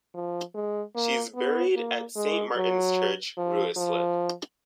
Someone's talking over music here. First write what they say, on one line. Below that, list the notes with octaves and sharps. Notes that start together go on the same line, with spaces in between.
She is buried at Saint Martin's Church, Ruislip.
F3
G#3
A#3
B3
A#3
G#3
F#3
F3
F3